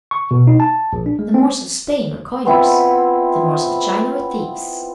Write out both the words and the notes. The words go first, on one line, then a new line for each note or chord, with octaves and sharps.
The Moors of Spain were coiners, the Moors of China were thieves.
C#6
B2
D#4
A5
A#1
D4
G#3
C4
B3 C4 E4 F4